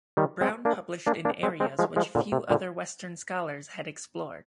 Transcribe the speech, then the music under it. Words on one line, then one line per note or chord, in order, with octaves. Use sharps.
Browne published in areas which few other Western scholars had explored.
D#3 G3
G#3 C4
A#3 D4
A#3 D4
A#3 D4
G#3 C4
G#3 C4
F3 G#3
F3 G#3
A#2 D3
C3
A#2 D3